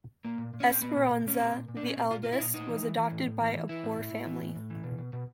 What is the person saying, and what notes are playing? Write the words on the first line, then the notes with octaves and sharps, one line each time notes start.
Esperanza, the eldest, was adopted by a poor family.
A#2 A#3
A#2
A#2
C#4
A#2 C4
A#2 B3
A#2
A#2
A#2 C#4
A#2 C4
A#2
A#2
D4
A#2 C#4
A#2 C4
A#2 F4
A#2 F4
E4
A#2 D#4
A2 D#4
E3
E3
E3
A2
A2
E3
E3
E3 E4
A2
A2
A2
E3
A2
A2
E3
B2
B2
B2